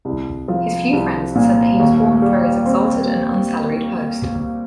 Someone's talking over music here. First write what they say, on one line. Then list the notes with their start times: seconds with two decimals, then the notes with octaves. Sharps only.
His few friends said that he was born for his exalted and unsalaried post.
0.05 C2
0.48 F3
0.93 C2
1.35 A#2
1.80 D#2
2.22 G3
2.66 C4